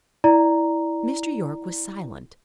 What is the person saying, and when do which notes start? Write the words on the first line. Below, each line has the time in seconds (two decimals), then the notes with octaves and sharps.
Mr. Yorke was silent.
0.24 E4 D5 A#5